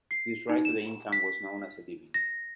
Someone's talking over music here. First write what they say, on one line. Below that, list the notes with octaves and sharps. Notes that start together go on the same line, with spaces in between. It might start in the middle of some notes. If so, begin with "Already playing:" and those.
This right to the income was known as a "living".
C7
D#4
E7
B6
A#6